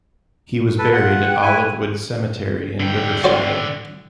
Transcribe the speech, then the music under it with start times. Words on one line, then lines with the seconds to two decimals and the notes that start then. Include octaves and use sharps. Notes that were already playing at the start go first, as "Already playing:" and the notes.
He was buried at Olivewood Cemetery in Riverside.
0.79 A4 B4
0.93 F4 F#5
1.25 G5 F#6
1.42 E4 G#5
2.80 D3 G5
3.24 F#4 C5 D5